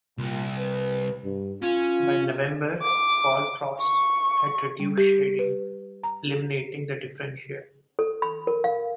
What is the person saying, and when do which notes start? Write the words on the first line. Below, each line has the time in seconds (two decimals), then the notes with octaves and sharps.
By November, fall frosts had reduced shading, eliminating the differential.
0.18 C2 A#2
0.58 B4
1.24 G2
1.62 C#4 F4
2.83 D6
3.80 C#6
4.80 G3
4.98 G4
5.39 B4
6.04 A#5
7.99 A4
8.22 B5
8.47 A#4
8.64 F5